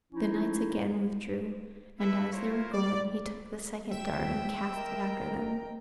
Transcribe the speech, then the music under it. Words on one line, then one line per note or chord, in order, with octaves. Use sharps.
The knights again withdrew, and as they were going he took the second dart and cast it after them.
F3 C#4 D#4 E4
E4 A4 B4 E5
E4 F4 A#4 C5 C#5
D5
E5 G5 E7
A#4 D#5 A#5